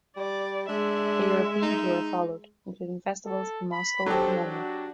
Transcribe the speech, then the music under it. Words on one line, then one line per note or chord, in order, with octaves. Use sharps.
A European tour followed, including festivals in Moscow and London.
G3 D5
G#3 D4 E5
D#4
A4
B5
F#3 D4 G4 A4 C5
D4 F#4